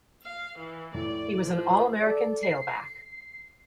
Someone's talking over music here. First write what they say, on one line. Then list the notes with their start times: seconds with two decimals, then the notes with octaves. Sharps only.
He was an All-American tailback.
0.23 F5
0.58 E3
0.94 A2 D5
1.44 F3
2.03 A4 D5
2.43 C7